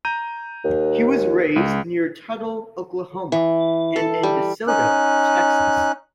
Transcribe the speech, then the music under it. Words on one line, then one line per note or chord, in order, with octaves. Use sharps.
He was raised near Tuttle, Oklahoma, and in DeSoto, Texas.
A#5 G6 D#7
D#2
C#2
E3
A4
G3
C#4 D#4 F#6